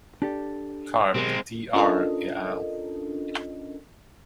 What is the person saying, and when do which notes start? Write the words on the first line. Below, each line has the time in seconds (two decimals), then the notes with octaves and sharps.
Karp D. R. et al.
0.22 D4 G4 A4
1.14 B1 G#3 C4 G4 A#4
1.73 C#4 D4 F4 A4 A#4 D#5